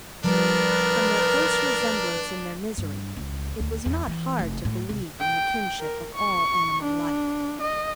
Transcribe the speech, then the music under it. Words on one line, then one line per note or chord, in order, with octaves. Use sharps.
From their close resemblance in their misery, it was not hard to believe in the kinship of all animal life.
F3 G3 B3 D4 A#4 B4
G2
C#2
D2
E2
E3
F1
A2
C2
G5
A#4
C#6
D4
D#5